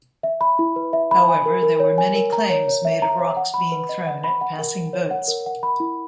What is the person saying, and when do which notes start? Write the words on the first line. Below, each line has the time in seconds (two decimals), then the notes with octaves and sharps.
However, there were many claims made of rocks being thrown at passing boats.
0.23 E5
0.41 B5
0.59 E4
0.76 B4
0.93 E5
1.11 B5
1.28 G#5
1.46 A#4
1.63 A#4
1.80 C#5
1.98 G#5
2.15 A#4
2.33 A#5
2.50 C#5
2.68 C#5
2.85 E5
3.02 A#5
3.20 C#5
3.37 F#5
3.54 B5
3.72 B4
3.89 D#5
4.06 F#5
4.24 B5
4.41 F#5
4.59 A#4
4.76 A#4
4.93 C#5
5.11 F#5
5.28 A#4
5.46 F#5
5.63 B5
5.80 E4